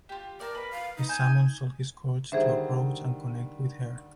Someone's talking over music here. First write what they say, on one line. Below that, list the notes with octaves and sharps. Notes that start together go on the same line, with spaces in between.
He summons all his courage to approach and connect with her.
F4 G4
A#4 D5 A5
B4 B5
F5
D#4
G#5 A5 G6
D3 D#3 G3 G#4 C5 E5